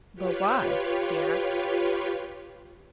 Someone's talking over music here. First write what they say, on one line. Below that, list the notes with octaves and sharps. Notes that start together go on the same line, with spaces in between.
"But why?" he asked.
F4 G4 B4 C#5